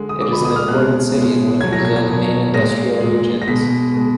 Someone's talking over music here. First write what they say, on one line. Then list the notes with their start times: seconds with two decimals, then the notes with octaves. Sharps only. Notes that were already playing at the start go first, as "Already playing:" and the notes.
It is an important city in one of Brazil's main industrial regions.
Already playing: D3 G#3
0.09 D#6
0.21 D3 G#3 D6
0.32 B5
0.45 D#6
0.56 F6
0.68 B2 G#3 F#6
1.14 B2 G#3
1.61 B2 F#3 G#6
1.73 A#6
1.85 G#6
1.96 G#6
2.08 B2 F#3
2.54 A#2 G#3 A#6
3.01 A#2 G#3
3.42 A#6
3.47 B2 G#3 B6
3.94 B2 G#3